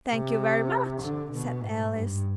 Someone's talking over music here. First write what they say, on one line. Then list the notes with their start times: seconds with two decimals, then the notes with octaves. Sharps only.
'Thank you very much,' said Alice.
0.10 C3
1.01 D3
1.32 B2
1.63 G#2
1.93 G2